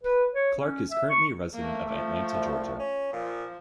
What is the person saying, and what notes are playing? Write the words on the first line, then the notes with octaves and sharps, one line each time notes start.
Clark is currently a resident of Atlanta, Georgia.
B4
C#5
C#4
E5
C#6
A3 A#3
F3
C2
C#4
A#2 F3